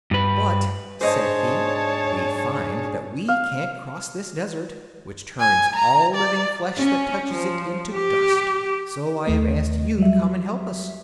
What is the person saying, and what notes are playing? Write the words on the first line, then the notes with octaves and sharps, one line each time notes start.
"But," said he, "we find that we can't cross this desert, which turns all living flesh that touches it into dust; so I have asked you to come and help us."
G2 B4
G#2 D4 G#4 C5 C#5 D#5 A5
F5
G#5
A#5
D5
C#4
F3
G4
D#2 A3 D#5
F#3 G3 E5